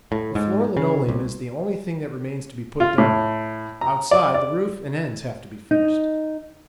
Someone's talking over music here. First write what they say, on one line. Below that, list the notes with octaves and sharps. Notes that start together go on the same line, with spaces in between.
The floor linoleum is the only thing that remains to be put down; outside, the roof and ends have to be finished.
A2
G#2
C#3
C2
F4
A2
A#5
D5
D5
D#4